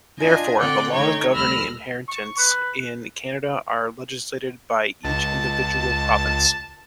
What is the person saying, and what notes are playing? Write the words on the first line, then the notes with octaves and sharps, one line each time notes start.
Therefore, the laws governing inheritance in Canada are legislated by each individual province.
D4 F4 D#5 G#5
D3 C4 D5 F#5 G5 F#6
D3 A3 D#4 C#5 G5 G#6
D2 G3 B5 E6 F6 A#6
C#6
B4
C#2 A5